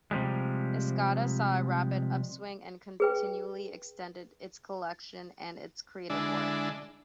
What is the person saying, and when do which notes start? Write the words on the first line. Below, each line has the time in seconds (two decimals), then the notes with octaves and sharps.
Escada saw a rapid upswing and continually extended its collections and its creative work.
0.11 C3 F3 G3 G#3
3.00 G#4 B4 G5
6.10 D3 G#3 D4 E4